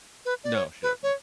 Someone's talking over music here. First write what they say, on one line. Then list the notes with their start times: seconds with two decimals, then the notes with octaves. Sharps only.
No, she doesn't. She
0.25 B4
0.44 D5
0.55 C#5
0.83 B4
1.03 C#5